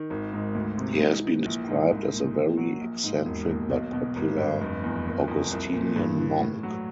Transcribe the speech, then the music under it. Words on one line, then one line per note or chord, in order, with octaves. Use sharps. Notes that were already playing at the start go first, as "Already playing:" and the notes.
He has been described as "a very eccentric but popular Augustinian monk".
Already playing: D#3
G#1
G#2
D2
C3
G#2
E3
A#1
G#2
C2
A#2
A#2
F#3
A#1
G#2
E1
D#2
B1
B2
G#1
G2
F1
E2
F#1
F2
C2
A#2
G2
E3
A2
F#3